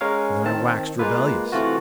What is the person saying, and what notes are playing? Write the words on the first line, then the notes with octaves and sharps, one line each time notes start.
Then I waxed rebellious.
G#3 C#4 A#4 C#5 F5
D#3 C4 A5
G#3 A#3 F4 B4
C3 E3 A3 F4 F#4